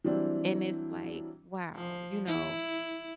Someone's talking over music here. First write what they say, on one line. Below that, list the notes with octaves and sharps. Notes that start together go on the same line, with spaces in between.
and it's like, "Wow," you know,
E3 F#3 G3 C4 D4 E4
F3
E4